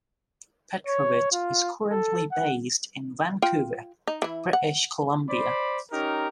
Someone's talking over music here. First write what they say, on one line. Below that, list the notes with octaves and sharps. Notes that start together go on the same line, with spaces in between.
Petrovich is currently based in Vancouver, British Columbia.
C#5
F4
A4
F#5
F4 G5
D#4
E3 E4
F#5
C5 D5 B5
C#4 D#4 G4 A#4